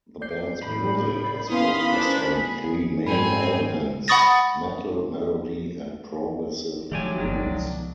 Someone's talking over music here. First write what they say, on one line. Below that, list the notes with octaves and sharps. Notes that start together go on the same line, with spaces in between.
The band's music has focused on three main elements: metal, melody, and progressive roots.
D5 G6 C7
A2 B5
B3 C#4 E4 F5 B5 C6 D#6
D4 A#4 C5
G#4
G#2 G#3 C4 D5 G#5 B5
F#5 B5 C#6 D#6 A6 A#6
D#3 F3 F#3 G#3 A3 G4 D5 G#5
G1 B2 D#3
C#2 F3